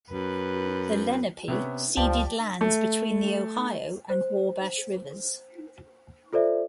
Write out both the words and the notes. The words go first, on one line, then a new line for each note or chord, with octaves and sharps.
The Lenape ceded lands between the Ohio and Wabash rivers.
F#2 B4
C3 B3 C#4
C#2 F3 G4 D5 A5
A3
C5
F4 A4 C5 D5 E5